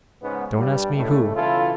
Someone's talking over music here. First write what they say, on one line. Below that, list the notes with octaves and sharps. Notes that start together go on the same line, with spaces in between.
Don't ask me who.
G#2 C#3 B3
G2 G3
A2 C#3 G#3 A3
B1 C#3 E3 E4 F4 A4